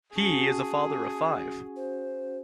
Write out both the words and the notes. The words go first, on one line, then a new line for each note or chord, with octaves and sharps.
He is a father of five.
C#4 F#4 G#4 F#5 A5
C5